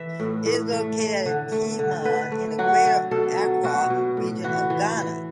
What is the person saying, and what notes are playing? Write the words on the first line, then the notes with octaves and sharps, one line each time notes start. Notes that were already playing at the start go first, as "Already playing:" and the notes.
It is located at Tema in the Greater Accra Region of Ghana.
Already playing: E3 E5
A2
A2
A3
A3
D3
A3
D3
D3 B4
A3
F#3 F#4
D3
B2 A4
F#3
B2 F#4
B2
A2
E3 F#4
E3
E3